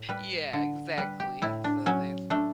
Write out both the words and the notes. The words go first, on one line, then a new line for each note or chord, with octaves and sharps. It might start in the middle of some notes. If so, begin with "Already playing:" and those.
Yeah, exactly, so there's
Already playing: A2
G3 B4
D3
G3 B4
G4
A2 E4
D4
F#3 C#4
A3 D4